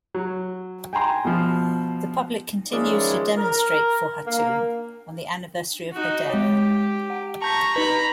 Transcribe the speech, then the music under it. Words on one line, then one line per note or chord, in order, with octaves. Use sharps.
The public continues to demonstrate for Hatun on the anniversary of her death.
F#3
G5 G#5 A#5 C6
B2 F3
D#3 F3 G#3 C#4 E4 D5
A#4
A#3 F5
D#4 F#4
G#3 G4 C#5
F#5
A5 A#5 C#6 G6 B6
D#4 B4 A#5 B5